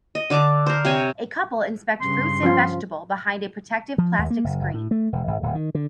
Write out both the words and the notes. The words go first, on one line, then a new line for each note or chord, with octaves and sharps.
A couple inspect fruits and vegetable behind a protective plastic screen.
D#5
D3 D5 A5 D6
A#4 C5
C3 C#5 G5 G#5
G2 C#3 C6
F3 C#4 F4
F3
D#2
A#3
F#1
F#1
A2
A3
E1
G#1
D1
D#3
D3